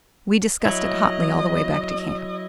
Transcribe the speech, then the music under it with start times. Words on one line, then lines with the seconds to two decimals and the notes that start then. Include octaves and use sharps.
We discussed it hotly all the way back to camp.
0.65 F#3 E4 D#5